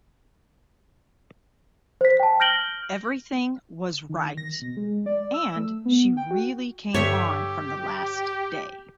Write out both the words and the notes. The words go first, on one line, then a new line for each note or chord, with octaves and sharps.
Everything was right and she really came on from the last day.
C5 B6
G5 A5
F6 G6 A#6 D7 F#7 G7
D#3
A#6
B2
G#3
D5
E6
A3
B3
G5
F#4
G2 D3 G4 C#5 E5